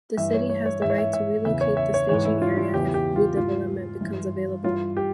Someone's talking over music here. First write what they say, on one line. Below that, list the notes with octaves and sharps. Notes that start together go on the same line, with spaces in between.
The city has the right to relocate the staging area if redevelopment becomes available.
G2 E3 E5
C#5
C#5
C#5
G#2 E3 E5
C#5
E5
E5
E2 C#3 E3 E5
C#5
E5
C#5
G#2 E3 C#5
E4
F4
F4
E2 C#3 E3 G4
G4
F4
G#2 E3 F4
G2 E3
G2 E3 F4
G4